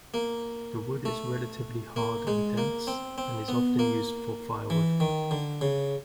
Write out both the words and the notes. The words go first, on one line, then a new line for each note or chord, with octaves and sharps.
The wood is relatively hard and dense, and is often used for firewood.
A#3
A3
A#3
G#3
A#3
C4
C4
B3
A#3
E3
D#3
D3
C#3